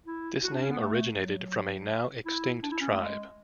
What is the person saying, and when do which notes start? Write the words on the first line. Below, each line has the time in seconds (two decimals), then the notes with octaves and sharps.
This name originated from a now extinct tribe.
0.06 E4
0.43 F#4
0.52 D4
0.61 C#4
0.70 B3
0.79 A3
1.16 F#3
2.25 E4
2.63 D4
2.71 E4
2.80 C#4
2.90 A3
2.99 G#3